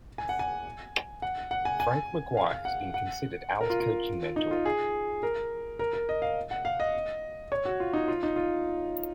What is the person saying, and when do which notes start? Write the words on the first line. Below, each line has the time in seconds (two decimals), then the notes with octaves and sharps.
Frank McGuire has been considered Al's coaching mentor.
0.18 G#5
0.29 F#5
0.39 G#5
1.22 F#5
1.51 F#5
1.65 G#5
1.80 G#5
2.37 F5
2.51 F5
2.65 F#5
2.94 F#5
3.61 A#4
3.70 F4
3.80 F4
4.36 D#4
4.51 F4
4.65 G#4
5.23 A#4
5.79 A#4
5.93 A#4
6.09 D#5
6.22 F5
6.51 F#5
6.65 F5
6.80 D#5
7.52 C#5
7.65 F#4
7.80 F4
7.93 D#4
8.08 F4
8.23 D#4
8.36 F4